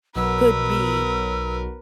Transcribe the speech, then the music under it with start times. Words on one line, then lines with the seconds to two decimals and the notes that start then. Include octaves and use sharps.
could be
0.15 B1 B2 F#3 A#4 B4 E6